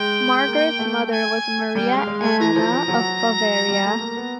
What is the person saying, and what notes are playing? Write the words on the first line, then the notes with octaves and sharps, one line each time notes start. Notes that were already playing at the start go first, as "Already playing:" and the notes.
Margaret's mother was Maria Anna of Bavaria.
Already playing: G#3 G5
A#3
A3
G5
G#5
G#5
G3 G5
G#3 F5
G#3
A3 G#5
E3 A#5
F3
F3
F#3
G3
A3
A#3
B3